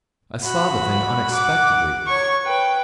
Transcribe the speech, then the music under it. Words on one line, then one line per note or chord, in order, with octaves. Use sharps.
I saw the thing unexpectedly.
F#4 B5
F#5 D6
C#5 C#6
B4 G5